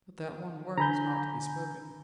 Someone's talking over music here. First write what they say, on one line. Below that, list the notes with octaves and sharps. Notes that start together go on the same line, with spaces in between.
But that one word was not to be spoken.
D3 G#5 A#5 B5 G6